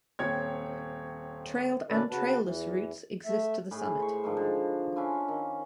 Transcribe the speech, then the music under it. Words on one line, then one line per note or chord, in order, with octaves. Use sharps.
Trailed and trailless routes exist to the summit.
D#1 C4 C#5 G#6
B2 D#3 C#4 A4 B4 D5
C#3 F#4 B4 A5
E2 E3
A3 E5
A2 G#4 B5
C5 B5 C#6
G#2 D#3 F3
D3
C#4 D4 E4 F4
D#3